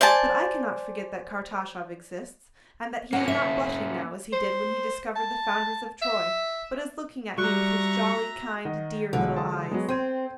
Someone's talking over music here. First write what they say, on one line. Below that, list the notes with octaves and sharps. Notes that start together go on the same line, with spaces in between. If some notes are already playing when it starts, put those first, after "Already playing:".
But I cannot forget that Kartashov exists and that he is not blushing now as he did when he discovered the founders of Troy, but is looking at me with his jolly, kind, dear little eyes.
C5 D5 G#5 A5
A#3 C#4 F#5
E5
C5
A5
E5
G3 F#4 E5 A#5 C#6 F#6
D#3 D#5 F#5
B1 D3 E3 F#3 G#3
A5 C6 D#6
F#3 G#3 B3
C4 G5 C6 G#6 D#7